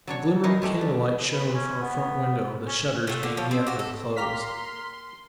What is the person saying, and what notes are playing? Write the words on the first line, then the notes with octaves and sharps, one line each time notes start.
A glimmering candlelight shone from a front window, the shutters being yet unclosed.
F#3 D4 C#5
E3 D#4 A#4
G#3 A3 G4
D4
B4
C#4
B3
C#4
C3 A3
D3
F3 C#5
C4
F#4 G4
A4
A#3 G4 A#5 C6 F6 B6